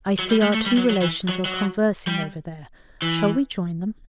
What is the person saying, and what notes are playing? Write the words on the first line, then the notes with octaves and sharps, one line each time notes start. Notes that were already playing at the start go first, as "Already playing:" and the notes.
"I see our two relations are conversing over there; shall we join them?"
F#3
G3
A3
A3
G3
F#3
F#3
E3
F#3
F#3
G3
E3